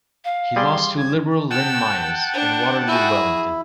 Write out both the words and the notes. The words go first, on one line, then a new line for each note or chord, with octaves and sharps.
He lost to Liberal Lynn Myers in Waterloo-Wellington.
F5
G3 G#4 D5 C6
G#6
F#5 G5 A5 E6
D4
E4 F#4 G#4